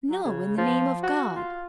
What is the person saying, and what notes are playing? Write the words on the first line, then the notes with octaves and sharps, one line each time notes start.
No, in the name of God!
F#3
C#3
F3
F#4
F4